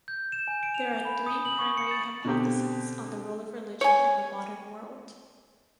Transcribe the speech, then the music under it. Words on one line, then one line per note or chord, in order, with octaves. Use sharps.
There are three primary hypotheses on the role of religion in the modern world.
G6
E7
G#5
D7
F7
F7
B5
D#6
F#7
C#6
C#7
A6
B2 D3 C4 G4
C#5 G#5